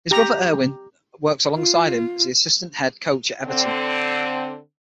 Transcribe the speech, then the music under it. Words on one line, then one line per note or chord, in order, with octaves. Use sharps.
His brother Erwin works alongside him as the assistant head coach at Everton.
G4 A#5
F4
D3 C4